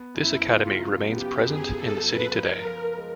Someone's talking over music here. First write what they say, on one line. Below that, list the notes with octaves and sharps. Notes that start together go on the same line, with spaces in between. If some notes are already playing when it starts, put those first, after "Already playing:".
This academy remains present in the city today.
Already playing: B3
F#2 E4
C#3 F4
F#3
B3 G4
F#2 G#4
C#3 A4
F#3 B4
F3 A#4
F3
G#3